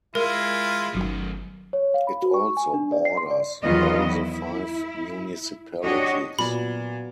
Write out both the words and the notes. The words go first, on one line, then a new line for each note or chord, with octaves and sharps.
It also borders all the five municipalities.
G#3 E4 F4 A#4
G1 F#2 D#3 F#3
C#5
F5
B5
F#4
C#6
G#5
D4
D5
C7
C6
D5
E2 D#3 F#3 B3 F4 D#5
E4
D4 F#4 G4 C#5 D#5
A#2 F#3 B3 D5 B5